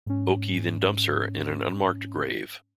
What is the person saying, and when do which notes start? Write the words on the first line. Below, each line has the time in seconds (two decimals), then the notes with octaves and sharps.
Oki then dumps her in an unmarked grave.
0.06 G#2 C#4